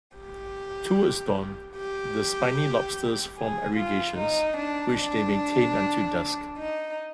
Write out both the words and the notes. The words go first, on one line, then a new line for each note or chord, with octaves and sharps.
Towards dawn, the spiny lobsters form aggregations, which they maintain until dusk.
G4
G4
G#4
F4
D#4
D4
D4
D#4